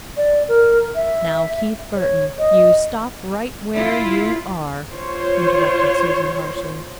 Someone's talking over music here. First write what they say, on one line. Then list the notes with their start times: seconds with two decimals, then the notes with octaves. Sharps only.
"Now, Keith Burton, you stop right where you are," interrupted Susan harshly.
0.17 D5
0.48 A#4
0.95 E5
1.95 C#5
2.38 D#5
3.75 E4 F4
4.94 F4 C5 C#5